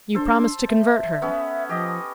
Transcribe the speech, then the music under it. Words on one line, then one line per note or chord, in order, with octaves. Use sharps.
"You promise to convert her?"
D4 A4 C5
E5
B3 C#4 A4
F3 G4 D#5